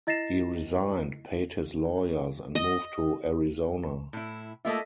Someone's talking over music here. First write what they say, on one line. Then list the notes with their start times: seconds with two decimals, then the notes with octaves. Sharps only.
He resigned, paid his lawyers, and moved to Arizona.
0.07 E4 D#5 A6 A#6 C7 E7
2.55 D#5
4.13 A2 E4
4.65 A3 A#3 F4 A4 D#5 E5